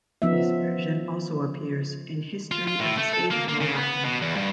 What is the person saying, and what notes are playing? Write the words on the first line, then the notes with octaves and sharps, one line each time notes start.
This version also appears in "History of the State of Rhode Island".
F3 B3 C#4 D#4 E5
F4
F4
A2
A3
A4
A#3
A#3
C#3
B3
B2
E2
G2